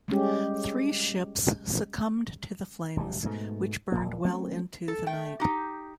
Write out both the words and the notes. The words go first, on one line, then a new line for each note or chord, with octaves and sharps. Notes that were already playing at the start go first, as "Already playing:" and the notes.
Three ships succumbed to the flames, which burned well into the night.
G3 G#3 C#4 G4
E1 D2 A2 G3
G#2 B2 A3
D1 C2 A#2 A#3
F#3 A3 C4 C#4
A4
A3 G5
D#4 G4